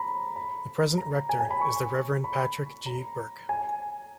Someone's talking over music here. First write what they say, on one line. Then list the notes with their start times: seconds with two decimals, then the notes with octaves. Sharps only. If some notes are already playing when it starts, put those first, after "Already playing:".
The present rector is the Reverend Patrick G. Burke.
Already playing: A#5 B5
0.36 B5
0.98 A#5
1.29 G#5
1.40 G#5
1.51 B5
1.61 C#6
2.24 B5
2.86 A#5
3.49 G#5